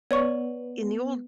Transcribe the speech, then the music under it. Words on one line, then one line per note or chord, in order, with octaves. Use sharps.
in the old,
B3 C#5 D5 C#6